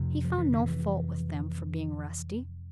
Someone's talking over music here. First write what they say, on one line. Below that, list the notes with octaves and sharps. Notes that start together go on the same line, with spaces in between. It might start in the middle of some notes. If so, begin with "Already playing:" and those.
He found no fault with them for being rusty.
Already playing: F2 C3
F3
E3
D3
E3